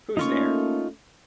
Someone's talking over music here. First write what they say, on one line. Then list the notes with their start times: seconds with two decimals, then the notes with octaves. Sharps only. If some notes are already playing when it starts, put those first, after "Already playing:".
Who’s there?
0.17 A3 A#3 C#4 D#4 F4 C#6